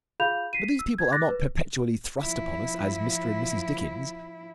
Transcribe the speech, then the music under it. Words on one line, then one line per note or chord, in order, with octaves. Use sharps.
But these people are not perpetually thrust upon us as Mr. and Mrs. Dickens.
F4 G#4 F5 B5 G6 F7
B6 C7 D#7
E6
G#6
D6 F#6 A6 A#6
B4
F3 E4